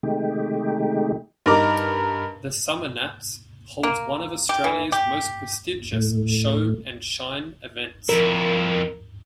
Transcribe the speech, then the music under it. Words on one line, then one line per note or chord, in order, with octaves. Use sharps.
The Summernats holds one of Australia's most prestigious Show and Shine events.
C3 D#3 G#3 A3 D#4 G4
G2 D#4 A#4 A#5 D6
A#3
G4
E3
G4
A2
F2 E4 A#4